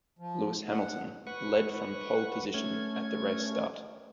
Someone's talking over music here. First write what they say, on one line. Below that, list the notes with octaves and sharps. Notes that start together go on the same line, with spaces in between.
Lewis Hamilton led from pole position at the race start.
F3
F#5
B4 F#5 C#6
A3 C#4 G#6